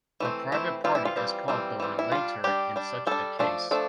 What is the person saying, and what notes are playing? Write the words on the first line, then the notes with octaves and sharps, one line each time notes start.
The private party is called the "relator" in such a case.
E3 A3 C4
E3 A3 C4 E4
E3 G3 C4 F4
E4
F4
E3 G3 C4
E3 G3 C4
E3 G3 C4
E4
G3 D4 F4
G3 D4 G4
G3 D4
G3 D4 A4
F3 A3 D4
F3 A3 D4 A4